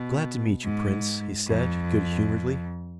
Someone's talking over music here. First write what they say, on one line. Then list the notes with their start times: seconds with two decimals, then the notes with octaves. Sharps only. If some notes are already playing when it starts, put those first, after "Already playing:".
"Glad to meet you, Prince," he said, good humouredly.
Already playing: B2
0.64 G#2
1.47 F2